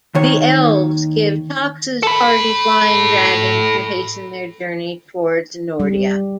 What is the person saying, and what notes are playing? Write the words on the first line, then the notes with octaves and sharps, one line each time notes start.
The elves give Toxa's party flying dragons to hasten their journey towards Nordia.
D#2 D#3 C#5
A4 B5
G3